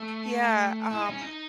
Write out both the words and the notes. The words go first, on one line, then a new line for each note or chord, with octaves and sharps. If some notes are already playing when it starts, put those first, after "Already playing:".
Yeah, um,
Already playing: A3
E4
D#4
C#4
D#4